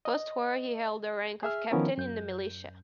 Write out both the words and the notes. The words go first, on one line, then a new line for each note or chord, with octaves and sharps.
Post-war he held the rank of captain in the Militia.
D#5
G#4 E5 F6
D#3 F3 B3 C#4 E4 A#4
F#2 G6